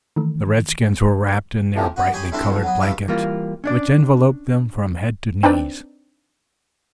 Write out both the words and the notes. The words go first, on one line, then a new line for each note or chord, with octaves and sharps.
The redskins were wrapped in their brightly colored blankets, which enveloped them from head to knees.
D#3 E3 A3
A2 C3 F3
B3 F#4
G4 G#4 C#5 G5 G#5 B5
G3 A3 C4 D4 E4 A4
B1 F3
F#3 B3
A1 G2 G3 A3 F5 C#6
E3 G3 A#3 F4
C#4 D4 D5
C4 D4 D#4 B4 D5 G5